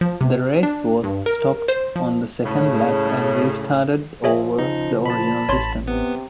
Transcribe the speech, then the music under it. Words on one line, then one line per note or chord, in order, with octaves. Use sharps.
The race was stopped on the second lap and restarted over the original distance.
F3
C3
D4
G2
A#4
C5
F3
A2 C#3
F3 G#4 C#5 E5
C#3 D#4
A5 B5
A1 C#5 C6 G#6
C3 B3